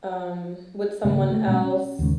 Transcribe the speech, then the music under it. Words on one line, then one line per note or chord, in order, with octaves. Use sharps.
um, with someone else,
G#1 C#3 A3 A#3
A3
B2 G3 C#4
C#4
D#2 G#2 C#3